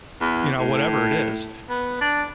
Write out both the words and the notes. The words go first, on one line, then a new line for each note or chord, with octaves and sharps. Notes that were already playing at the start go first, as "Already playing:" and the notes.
you know, whatever it is.
E2
A2
B3
D4